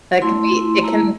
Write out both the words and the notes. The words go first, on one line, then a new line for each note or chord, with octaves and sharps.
That can it can
A3 E4 C6
A3 E4
A3 E4 A#5